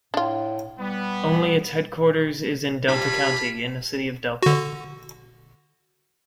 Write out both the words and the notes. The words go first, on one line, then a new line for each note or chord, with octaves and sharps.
Only its headquarters is in Delta County, in the city of Delta.
A2 D4 F4
G3 B3
F4 G4 A5 B5
D3 F#4